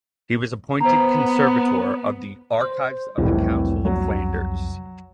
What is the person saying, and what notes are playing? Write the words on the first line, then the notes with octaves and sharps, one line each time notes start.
He was appointed conservator of the archives of the Council of Flanders.
B3 C5 A#5
C5
C2 F2 A2 C3 E3
F#3